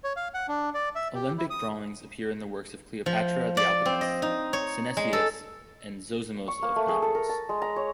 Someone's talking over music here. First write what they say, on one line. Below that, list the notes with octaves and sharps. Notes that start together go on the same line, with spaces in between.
Alembic drawings appear in works of Cleopatra the Alchemist, Synesius, and Zosimos of Panopolis.
C#5
F5
F#5
D4
D5
E5
G4
E4
D#6
F3
D5
C4
D#5
D#4
C#5
G#3
A4
C#6
A#3
A3
G#4
A4
A#4
A5
G#3
A#5
C#5